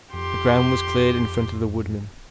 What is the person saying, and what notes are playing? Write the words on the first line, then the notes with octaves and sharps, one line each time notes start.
The ground was cleared in front of the woodmen.
F2 G4 C6